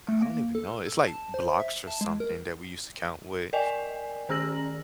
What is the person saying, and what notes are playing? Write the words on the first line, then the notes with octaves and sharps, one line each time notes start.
I don't even know, it's like blocks or something that we used to count wit
A3
A#3
A4
A4
A5
C5
E5
A5
G#3
A#4
A#4 D5 D#5 G5 G#5
D#3 C#4 G#4 E6 A#6 F#7